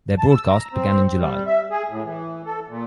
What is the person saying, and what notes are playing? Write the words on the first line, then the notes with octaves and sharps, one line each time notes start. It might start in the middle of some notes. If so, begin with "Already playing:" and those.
Their broadcast began in July.
A5
E6
A#5
C4
G3
E5
G#4
A2
E3
A4
A#2